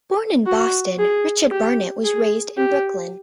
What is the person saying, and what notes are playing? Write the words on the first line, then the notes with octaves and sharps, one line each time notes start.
Born in Boston, Richard Barnet was raised in Brookline.
F#4
G#4
G4
G#4
G4